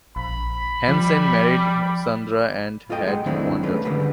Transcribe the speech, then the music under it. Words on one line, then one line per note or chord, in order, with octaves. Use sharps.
Hansen married Sandra and had one daughter.
A#1 B5
F3 G3
F4 A4 D#5 G5
G#3 G#4 F#5
D#3 F#3 A3 C4 D4 E4
F#3 G#3 A3 C#4 B4
D3 G3 G#3 F#4 B4